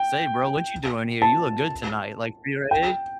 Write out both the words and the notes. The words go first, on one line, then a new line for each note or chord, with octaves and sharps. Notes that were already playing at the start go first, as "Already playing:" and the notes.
"Say, bro, what you doing here? You look good tonight. Like" Right?
Already playing: G5
A5
G5